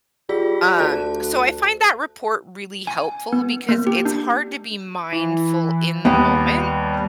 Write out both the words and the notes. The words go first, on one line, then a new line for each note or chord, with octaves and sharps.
um, so I find that report really helpful because it's hard to be mindful in the moment
G3 F4 G#4 B6
D2 A5 F#6
G#5
B3
A#3
G4
D4
E3
D#2 G3 B3